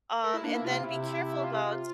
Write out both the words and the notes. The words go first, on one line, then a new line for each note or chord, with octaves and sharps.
um, and then be careful about
A3 A#4
E4
A#3 D4
E4
C3 F4
C3 E4
E4
F4